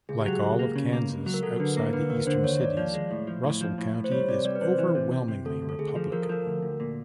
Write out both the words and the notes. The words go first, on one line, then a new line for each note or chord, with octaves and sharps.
Like all of Kansas outside the eastern cities, Russell County is overwhelmingly Republican.
C#2 G#4
F#3 G4
G#4
C#2
A#3
C#3
A#3
C#2
F#3
A#4
F#3 A4
D3 B4
A#3 A#4
D3 B4
D#2 A#4
D3 C5
D#2 C#5
D#2 D5
F3 D5
G#3
A2
F3
A2
F3
A2
A2
C5
G3 C#5
C3 D5
G3 D5
B4
C3 C5
E3
C3
C3
C3
D2 A4
D2
A4
D2 G#4
F3
F3 A#4
A4
F3 A#4
D2
D2
A#2